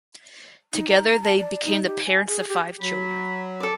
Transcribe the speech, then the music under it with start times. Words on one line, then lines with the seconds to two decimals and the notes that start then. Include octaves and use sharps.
Together they became the parents of five children.
0.73 D#4
0.89 A#5
1.09 A#5
1.23 A5
1.37 D5
1.65 D#4
1.87 G4
2.06 G#5
2.27 G#4
2.48 G4
2.81 F#3 B5
3.60 A4 D5